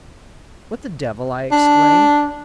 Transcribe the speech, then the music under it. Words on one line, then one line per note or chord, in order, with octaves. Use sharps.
"What the devil!" I exclaimed.
D4